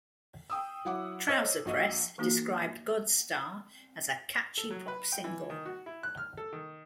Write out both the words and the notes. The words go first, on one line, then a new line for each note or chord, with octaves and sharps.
"Trouser Press" described "Godstar" as "a catchy pop single".
G5 D#6 E6
F#3 E4 F#5 D6
C5 C#5 D#5 E6
A#1 F#4 D#5
E3 A#3 D#4 F#4
A4
F#3
B4
G5
E3
D#3
F#4
E4
F#6
F6
A4
D#3